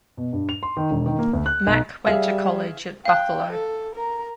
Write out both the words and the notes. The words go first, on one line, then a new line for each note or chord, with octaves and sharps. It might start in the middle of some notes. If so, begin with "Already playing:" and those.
Mack went to college at Buffalo.
B2
G2
F7
C6
D#3
E1
D#3
A#3
D2
F#6
B1
G3 G#4 E5 F5
F5 G5 F#6
A4
A#4 A#5